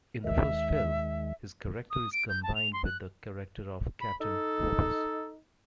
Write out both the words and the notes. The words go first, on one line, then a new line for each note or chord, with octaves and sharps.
In the first film, his character is combined with the character of Captain Phoebus.
D#2 D#3 G#3 E5
D#6
D7
G6
A5
F7
C6
F#6
B5
D#4 A4